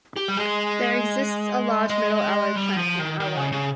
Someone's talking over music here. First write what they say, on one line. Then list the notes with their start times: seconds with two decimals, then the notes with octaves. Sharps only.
There exists a large metal alloy plant in Alloy.
0.16 G4
0.28 G3
0.37 G#3
1.90 G#3
2.55 G3
2.76 F3
2.99 D#3
3.20 D#3
3.37 C#3
3.52 C#3